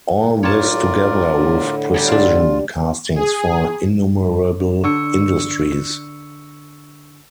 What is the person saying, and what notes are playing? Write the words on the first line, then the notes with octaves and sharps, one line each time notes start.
All this together with precision castings for "innumerable" industries.
F#2 A2 F4 A#4 C#5 D5 A5
A2 D3
F#3 G3 G4 G#5
D4 F4 F5
G#4
D3 C#6 E6 C#7